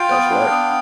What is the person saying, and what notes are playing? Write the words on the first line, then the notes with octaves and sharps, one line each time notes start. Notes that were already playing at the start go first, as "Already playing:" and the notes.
That's right.
Already playing: F4 F5 G5
B3
D4
B3